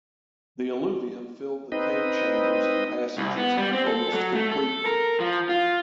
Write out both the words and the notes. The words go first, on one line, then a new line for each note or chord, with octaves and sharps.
The alluvium filled the cave chambers and passages almost completely.
C4 D#4 B4 D#5
C2
B3
G3
C4
A4
F#3
A3
A4
A#4
F3
F4